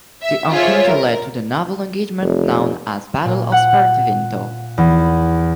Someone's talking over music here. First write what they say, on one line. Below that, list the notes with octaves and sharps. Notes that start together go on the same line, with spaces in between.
The encounter led to the naval engagement known as Battle of Spartivento.
E5
F4 G#4 C5 C#5 E5
A#4
F1
A#2
F#5
E2